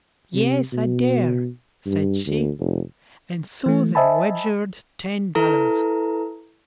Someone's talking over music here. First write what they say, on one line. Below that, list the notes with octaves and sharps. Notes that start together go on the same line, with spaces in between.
'Yes I dare', said she; and so they wagered ten dollars.
C3
B2
G2
D2
F1
E3 A3
C5 D#5 E5 G#5 A5 B5
E4 A4 B4 A#5